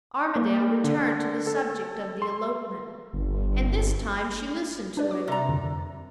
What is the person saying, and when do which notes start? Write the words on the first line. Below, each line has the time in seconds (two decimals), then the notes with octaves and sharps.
Armadale returned to the subject of the elopement; and this time she listened to him.
0.36 A#3
0.84 D3
1.47 A4
2.22 C6
3.13 G1
4.97 D4 B4 D5
5.11 D6
5.28 C3 A#4 D5 A#5
5.48 F2 D3